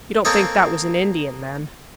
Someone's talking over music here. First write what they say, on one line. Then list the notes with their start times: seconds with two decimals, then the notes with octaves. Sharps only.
"You don't think that was an Indian, then?"
0.25 A#3 C4 A4 C#5 D#5